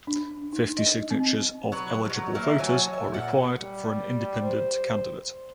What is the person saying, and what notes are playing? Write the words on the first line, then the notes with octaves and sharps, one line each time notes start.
Fifty signatures of eligible voters are required for an independent candidate.
D4
D#4
D#5
C4
F#3 B4
F3 F#3
E3 A#3 E4 F5
F#3 C#5 G#5 A5
E5
A#2 F#5
G3
C5